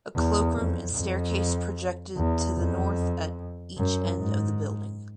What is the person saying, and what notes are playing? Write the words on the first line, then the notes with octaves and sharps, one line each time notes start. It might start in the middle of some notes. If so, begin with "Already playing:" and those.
A cloakroom and staircase projected to the north at each end of the building.
E2
F2
F2
E2
F2
F#2
G#2